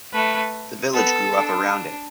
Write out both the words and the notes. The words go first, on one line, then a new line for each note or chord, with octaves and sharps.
The village grew up around it.
A3 B4
B3 A4
D4